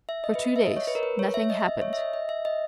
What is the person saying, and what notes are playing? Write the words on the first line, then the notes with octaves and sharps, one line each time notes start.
For two days nothing happened.
E5
D#5
B4
D#5
E5
D#5
C#5
B4
A#4
B4
C#5
E5
D#5
E5
D#5
C#5
E5
D#5
D#5
E5
D#5